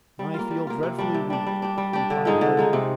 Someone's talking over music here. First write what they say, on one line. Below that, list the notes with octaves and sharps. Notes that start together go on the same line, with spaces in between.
"I feel dreadfully weak," replied Harding.
G3
A#3 F4
G3
A#3 F4
C3
G3 D4
C3
G3 D4
G3
D4 G4
G3
D4 G4
D3
F3 G#3 D#4
D3
F3 G#3 D#4
C3